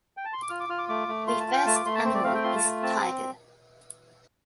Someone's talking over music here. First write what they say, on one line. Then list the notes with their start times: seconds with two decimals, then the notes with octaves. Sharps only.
The first animal is Tiger.
0.17 G5
0.25 A5
0.33 C6
0.42 D6
0.50 F4 F6
0.60 D6
0.69 F4 F6
0.79 D6
0.89 A3 D6
1.08 A3
1.27 F4 C6
1.40 A5
1.47 F4
1.53 G5
1.66 A3 A5
1.76 D6
1.86 A3 C6
1.95 A5
2.05 C4 C5
2.14 D5
2.24 A3 F5
2.35 G5
2.43 F4 C6
2.56 A5
2.64 A3
2.83 C4 A5